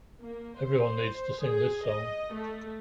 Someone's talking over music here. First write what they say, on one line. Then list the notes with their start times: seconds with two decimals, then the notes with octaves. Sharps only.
Everyone needs to sing this song.
0.20 A#3
0.59 C5
1.42 G#4
1.85 D#5
2.34 A3